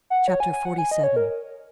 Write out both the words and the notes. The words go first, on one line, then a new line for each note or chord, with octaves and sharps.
Chapter XLVII.
F#5
C#5
G#5
G#5
F#5
G#5
D#5
C#5
A#4